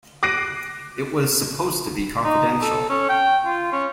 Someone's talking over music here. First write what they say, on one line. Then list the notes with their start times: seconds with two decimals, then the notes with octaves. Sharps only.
It was supposed to be confidential.
0.23 D6 F#6 A#6 C7 D7 D#7
2.24 D#4
2.62 A4
2.90 C#4
3.09 G5
3.46 F4
3.72 C#4